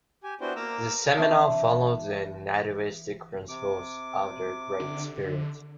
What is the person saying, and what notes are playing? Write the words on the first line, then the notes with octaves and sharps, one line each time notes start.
The Seminole followed the nativistic principles of their Great Spirit.
G4 G#5
B3 D4 E4 F#4 C5 G5
A#3 A#5 D6 E6
E3 C4 D4 D5 E5 A5
C3 D6
D3